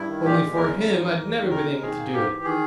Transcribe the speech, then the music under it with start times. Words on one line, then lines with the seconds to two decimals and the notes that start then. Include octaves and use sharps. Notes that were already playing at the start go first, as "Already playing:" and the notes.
Only for him, I'd never been able to do it.
Already playing: G2 E4
0.09 D#3
0.25 A#2 G4
0.40 G#3
0.56 E2 A#4
0.72 C#3
0.88 G#2
1.03 E3
1.18 E2
1.34 D#3
1.50 B2 A#4
1.66 G#3
1.81 D#3 G#4
1.97 A#3
2.13 G#2 G4
2.30 E3
2.44 D#3 G#4